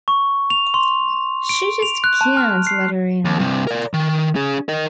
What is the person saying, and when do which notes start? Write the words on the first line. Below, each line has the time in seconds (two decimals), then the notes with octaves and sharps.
She just can't let her in.
0.08 C#6
0.50 F7
0.74 C6
1.49 D7
1.82 F7
2.04 F#6
2.21 A5
2.37 F6
2.67 C7
3.25 D#2
3.39 G2 C3
3.67 A#4 D5
3.94 D#3
4.36 C#4 G#4
4.69 A#4 D#5